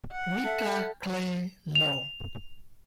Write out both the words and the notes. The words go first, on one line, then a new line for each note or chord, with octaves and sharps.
Rita Clay Loam.
F#5
A4 E5
F7